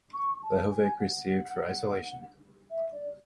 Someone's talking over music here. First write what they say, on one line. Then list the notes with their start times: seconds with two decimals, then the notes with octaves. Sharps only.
Lehovec received for isolation.
0.13 C#6
0.42 A5
0.70 G#5
0.99 F#5
2.70 E5
2.91 D5